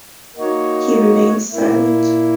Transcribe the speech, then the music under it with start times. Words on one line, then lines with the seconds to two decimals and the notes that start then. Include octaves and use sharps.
He remains silent.
0.36 A#3 D#4 F#4 C#5
1.52 A#2 A#3 E4